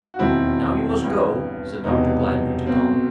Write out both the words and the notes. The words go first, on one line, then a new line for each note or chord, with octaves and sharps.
"Now you must go," said Dr. Gladby to Tom.
F#4
E1 D#2 D#3 C4 E4
A1 G2 E3
E1 E2 C3 E3 D#4
B1 B2 C4